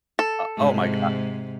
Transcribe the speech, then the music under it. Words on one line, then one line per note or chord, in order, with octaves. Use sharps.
O oh my God.
A4
G#2 C3